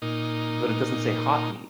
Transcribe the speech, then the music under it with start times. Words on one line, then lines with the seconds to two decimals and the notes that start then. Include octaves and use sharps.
But it doesn't say, "hot meat."
0.02 A#2 D#4